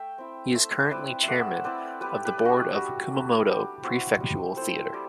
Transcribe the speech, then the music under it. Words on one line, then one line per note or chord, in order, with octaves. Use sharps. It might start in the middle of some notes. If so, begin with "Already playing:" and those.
He is currently Chairman of the Board of Kumamoto Prefectural Theatre.
Already playing: A3 E5 G5
C4 E4
A3 C5 E5
C4 E4 B4 D5
E5
A3 D5 F#5
C4 E4 B4 D5
G3 G4 B4
G4 B4
D4
F#4 G4
G3 F#4
D4
G3 G4
C4 E4 F#4
G3
C4 E4 A4 C5
G3 D5